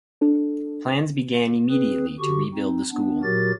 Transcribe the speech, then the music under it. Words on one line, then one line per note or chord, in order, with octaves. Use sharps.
Plans began immediately to rebuild the school.
D4 A4
C4 G#4 B4
D3 F#4 G4 C#6
C4 D#4
B3 D4
A#2 F#3 F#4 G4 A#4 A6